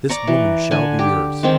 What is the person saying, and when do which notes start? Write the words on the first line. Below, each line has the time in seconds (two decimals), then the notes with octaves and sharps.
This woman shall be yours.
0.09 D5 A#5 C#6
0.27 E3
0.71 D3 G#5
0.99 G4
1.43 D#3 G#3 C4 D#4